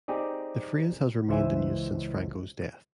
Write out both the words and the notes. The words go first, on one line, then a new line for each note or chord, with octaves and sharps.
The phrase has remained in use since Franco's death.
C4 D#4 G4 G#4 D5
C#2 E3 C5 E5 G#5